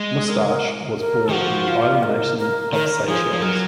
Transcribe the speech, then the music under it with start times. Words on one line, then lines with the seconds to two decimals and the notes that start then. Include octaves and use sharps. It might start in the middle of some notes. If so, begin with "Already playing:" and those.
Moustache was born in the island nation of Seychelles.
Already playing: G#3
0.11 G#4
0.29 A#4
0.46 A#4
0.98 A#4
1.29 D#3
1.33 F3 F#4
1.68 F4
2.03 A#4
2.38 A#4
2.73 D#3 A#4
3.08 F3 G#4
3.33 F3
3.42 F#3 A#4